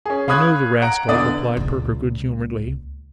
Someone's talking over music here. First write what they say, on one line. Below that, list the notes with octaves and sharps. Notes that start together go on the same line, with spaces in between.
'I know the rascal,' replied Perker good-humouredly.
C#4 G#4
F5 B5 C#6 D#6 F#6 G#6
F#5 A#5 D7
E2 D3 D5 D#6
C#2 A#2